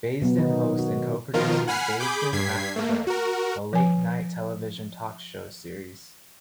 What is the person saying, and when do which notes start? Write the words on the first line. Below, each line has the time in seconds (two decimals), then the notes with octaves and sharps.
Baisden hosts and co-produces "Baisden After Dark", a late-night television talk show series.
0.22 B2 F#3 B3
0.38 D#3 D#4
0.79 F#4
1.34 B2 D#3 F3 F4 A#4
1.67 F#5 G#5 B5 F6 C7
2.00 G#4 B5 D6 G6
2.32 G2 G#6 B6 C7
2.76 A3 A#3
3.07 F#4 A#4
3.73 F3 B4 G#5